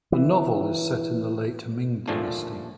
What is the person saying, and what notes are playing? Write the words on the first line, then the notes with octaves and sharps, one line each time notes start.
The novel is set in the late Ming dynasty.
E3
A#1 D#2 A#2 D3 F3 A3